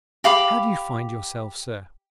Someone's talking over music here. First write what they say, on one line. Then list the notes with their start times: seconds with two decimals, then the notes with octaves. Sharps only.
How do you find yourself, sir?'
0.24 G4 F5 B5 D6